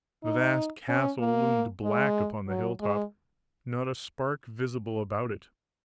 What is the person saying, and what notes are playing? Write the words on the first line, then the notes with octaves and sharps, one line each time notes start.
The vast castle loomed black upon the hilltop, not a spark visible about it.
D#4
C#4
A#3
G#3
F#3
G#3